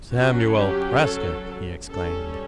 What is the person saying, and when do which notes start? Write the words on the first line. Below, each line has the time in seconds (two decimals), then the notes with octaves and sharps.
"Samuel Prescott!" he exclaimed.
0.13 F#3 C#4 F#4
0.58 G4
1.01 A4
1.89 G3 C#4 A4